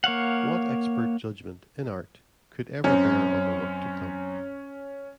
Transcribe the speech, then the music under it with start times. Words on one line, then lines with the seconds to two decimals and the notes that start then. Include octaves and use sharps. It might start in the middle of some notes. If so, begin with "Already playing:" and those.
What expert judgment, in art, could ever bear on the work to come?
0.04 A#3 C#5 F5 F#5
2.84 F#2 C4 C#4